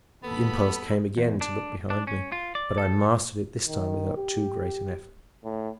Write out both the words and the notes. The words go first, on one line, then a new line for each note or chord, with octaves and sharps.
The impulse came again to look behind me, but I mastered it this time without too great an effort.
D#2 B3 A4 B5
E2
D4
D4
C#4
F4
D5
A4
D#3
G4
A2